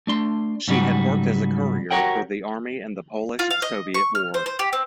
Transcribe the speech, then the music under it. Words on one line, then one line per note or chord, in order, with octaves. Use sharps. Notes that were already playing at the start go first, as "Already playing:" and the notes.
She had worked as a courier for the army in the Polish-Soviet War.
A3 D4 C6
G#2 C#3 F#3 G3 D#4 F#4
F#4 G4 A#4 C#5 F#5 G5
F4
F5
D#5
C#6
F6
C5
C5
G4
C4